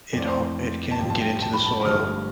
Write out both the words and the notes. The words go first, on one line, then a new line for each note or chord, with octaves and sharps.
it ha it can get into the soil,
F2 E3 A3 C4 D5
C5
C5
A5
A1 G2 F3 G5
A5
G5
A5
B5
A5
G1 G2 F3 A3 F6